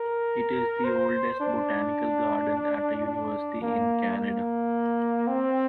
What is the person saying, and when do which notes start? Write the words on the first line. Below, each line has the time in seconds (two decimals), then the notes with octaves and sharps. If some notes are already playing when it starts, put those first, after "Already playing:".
It is the oldest botanical garden at a university in Canada.
Already playing: A#4
0.85 C5
1.40 D4
3.06 D4
3.62 A#3
4.17 A#3
5.27 C4